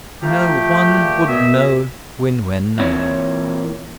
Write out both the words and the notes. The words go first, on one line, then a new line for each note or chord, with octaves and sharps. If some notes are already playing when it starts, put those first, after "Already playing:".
No one would know Gwen Wynn now.
F3 A3 G4 A4 F5 A#5
A#2 G#3
B2 D#5 E5 G#5
A#2 E3 C4 E4 C#5